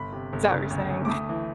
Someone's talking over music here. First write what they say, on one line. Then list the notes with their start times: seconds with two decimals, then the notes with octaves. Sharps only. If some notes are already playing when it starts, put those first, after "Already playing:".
Is that what you're saying?
Already playing: G1 B5
0.12 C3
0.33 G1
0.51 C#3
0.70 D2
0.90 D2
1.05 D6
1.09 A3 D#6
1.29 E3